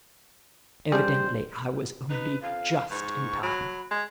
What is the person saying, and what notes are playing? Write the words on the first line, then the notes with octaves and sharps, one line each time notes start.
Evidently I was only just in time.
G3 C#4 D4 G#4 C5
D#4 B4
F2 F5
G#2 C#6
F#3 B5
G#3